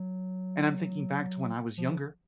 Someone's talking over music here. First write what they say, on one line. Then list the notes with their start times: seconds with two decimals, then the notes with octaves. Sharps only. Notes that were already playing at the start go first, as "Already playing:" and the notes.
and I'm thinking back to when I was younger,
Already playing: F#3
1.78 F3